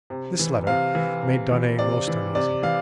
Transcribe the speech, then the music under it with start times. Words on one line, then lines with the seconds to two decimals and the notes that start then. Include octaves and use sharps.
This letter made Darnay most uneasy.
0.10 C3
0.39 E3
0.67 C3 F5
0.95 E3
1.22 C3
1.51 E3
1.79 C3 D5
2.07 E3
2.35 C3 D5
2.63 E3 F5